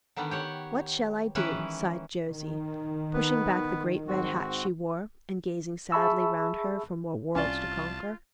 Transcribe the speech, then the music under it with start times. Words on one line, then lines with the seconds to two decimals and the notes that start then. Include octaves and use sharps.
'What shall I do?' sighed Josie, pushing back the great red hat she wore, and gazing sadly round her for more worlds to conquer.
0.16 D3 D#3 G3 B3
0.31 G4 C#5 F#5
1.35 D#3 E3 G#3 C#4 E4 B4
2.27 D#3
3.14 B3 B4
4.08 G#2 C4 F#4
5.92 G#4 E5 A5 B5 C#6 E6
7.35 C2 C#4 F4 D5 A5